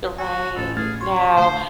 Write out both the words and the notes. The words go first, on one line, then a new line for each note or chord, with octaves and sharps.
The right. Now,
F#4 G#5
A1 A4
A3 G#4 F6 A6
C#5 C6
D2 C5